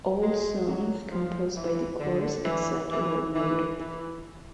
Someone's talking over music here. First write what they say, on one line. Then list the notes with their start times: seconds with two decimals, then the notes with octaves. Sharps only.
All songs composed by The Corrs except where noted.
0.22 G#3
0.67 F#3
1.12 F3
1.57 E3
2.00 D3
2.45 E3
2.90 E3
3.36 E3
3.80 E3